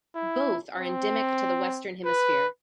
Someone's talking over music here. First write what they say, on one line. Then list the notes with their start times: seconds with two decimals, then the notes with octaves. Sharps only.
Both are endemic to the Western Hemisphere.
0.16 E4
0.78 C4
2.06 B4